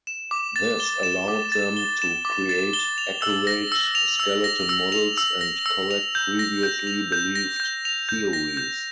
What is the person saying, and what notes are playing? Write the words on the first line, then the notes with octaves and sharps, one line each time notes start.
This allowed them to create accurate skeleton models and correct previously believed theories.
E7
D6
A6
G7
E7
D6
A6
G7
E7
D6
A6
G7
F7
E6
A#6
E6
F7
E6
A#6
E6
F7
E6
A#6
E6
F7
G6
A#6
G6
F7
G6
A#6
G6
F7
G6
A#6
G6